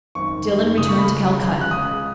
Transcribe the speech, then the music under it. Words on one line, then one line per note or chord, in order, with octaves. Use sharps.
Dillon returned to Calcutta.
G#1 F#2 D#3 C#6
G#1 F#2 D#3
C#2 C#3 G#3 D#6
C#6
B5
C#2 C#3 G#3
C#2 C#3 G#3
F#6
C#2 C#3 G#3 D#6